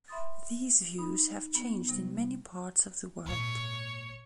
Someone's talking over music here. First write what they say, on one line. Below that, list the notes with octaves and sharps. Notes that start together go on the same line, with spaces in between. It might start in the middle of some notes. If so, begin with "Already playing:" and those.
These views have changed in many parts of the world.
E5 B5 C6 D#6 A6
D#4 B5 D#6
B3
C3 G3
G#1 A#2 C#5